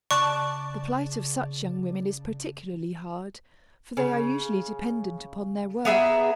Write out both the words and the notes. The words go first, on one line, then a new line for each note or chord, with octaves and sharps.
The plight of such young women is particularly hard, for they are usually dependent upon their work.
C#3 D5 A5 C#6 F#6
C#3
B3 G#4 E5 A#5